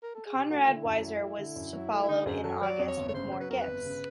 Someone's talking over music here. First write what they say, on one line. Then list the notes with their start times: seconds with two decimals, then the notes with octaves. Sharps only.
Conrad Weiser was to follow in August with more gifts.
0.03 A#4
0.15 A4
0.26 G#4
0.38 G4
0.50 A3 F#4
0.65 D3 F4
0.76 E4
0.85 F#2
1.03 F#3
1.21 A3
1.38 D3
1.56 F#2
1.73 F#3
1.91 A3
2.03 E4
2.08 D3 D#4
2.26 F#2 G#4
2.43 F#3 A4
2.61 F#3 D5
2.79 F2
2.88 C#5
2.97 G1
3.08 C#5
3.14 C#3 C5
3.32 F#3
3.40 B4
3.50 F2 A#4
3.61 B4
3.67 G1
3.85 C#3